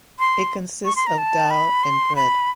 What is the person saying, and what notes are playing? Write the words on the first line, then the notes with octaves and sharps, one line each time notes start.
It consists of Daal and bread.
C6
C#6
C6
A#5
A5
B5
C6
B5